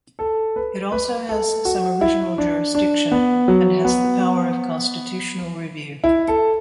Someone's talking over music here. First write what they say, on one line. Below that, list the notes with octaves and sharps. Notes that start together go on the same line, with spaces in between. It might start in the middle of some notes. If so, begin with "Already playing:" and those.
It also has some original jurisdiction, and has the power of constitutional review.
A4
B4
B4
A4
F#4
E4
D4
D4
B3
F#3
B3
E4
A4